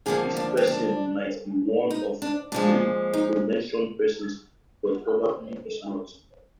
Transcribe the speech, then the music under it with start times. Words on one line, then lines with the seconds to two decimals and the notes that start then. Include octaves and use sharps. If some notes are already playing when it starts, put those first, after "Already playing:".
This person might be one of the three prementioned persons, but probably is not.
0.06 D#2 D3 F3 A#3 G#4
0.37 D4
0.57 C4
0.67 D4
1.91 D#4
2.22 D4
2.52 A#2 F3 G#3 D4
3.13 D#4